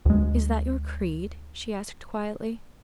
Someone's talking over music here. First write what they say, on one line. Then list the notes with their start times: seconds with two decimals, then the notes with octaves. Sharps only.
"Is that your creed?" she asked quietly.
0.06 D2 G#3